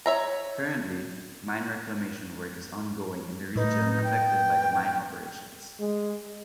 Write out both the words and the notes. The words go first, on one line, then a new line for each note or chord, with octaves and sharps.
Currently, mine reclamation work is ongoing in the region affected by the mine operations.
C#5 E5 A#5
A2 D#4 B4
G5
G#3